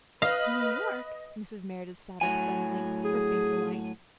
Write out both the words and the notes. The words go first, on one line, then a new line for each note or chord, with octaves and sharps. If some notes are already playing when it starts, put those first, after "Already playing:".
"To New York?" Mrs. Merideth sat up suddenly, her face alight.
B4 D#5 F5 F6
A2 F#3 G#5
G#4